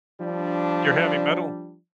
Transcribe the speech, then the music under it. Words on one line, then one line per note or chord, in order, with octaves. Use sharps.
Your heavy metal?
F3 G3 D4